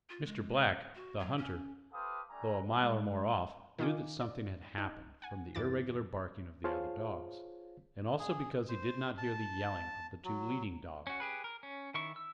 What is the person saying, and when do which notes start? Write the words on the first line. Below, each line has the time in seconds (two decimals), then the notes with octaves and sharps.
Mr. Black, the hunter, though a mile or more off, knew that something had happened from the irregular barking of the other dogs, and also because he did not hear the yelling of the two leading dogs.
0.10 F4
0.25 G#3
0.95 F#4
1.19 F#3
1.38 C#4
1.93 G4 A4 B4 C5 F5 D#6
2.30 G3 A3 D4 G#5 A#5
2.83 G#3
3.78 D#3 D#4 F4 G#5 D6
4.21 D5
4.78 D#4
5.22 F#5 G#5
5.55 E2 G2 E3 D6 A6
6.64 F4 G#4 C5 C#5 F5 A5
8.19 G#4
8.69 C5
9.18 A5
10.25 F#3
11.07 C#4 F#4
11.20 G4 G#4 B4
11.44 A#4
11.63 C#4
11.94 D#3 E4 C#6
12.16 E6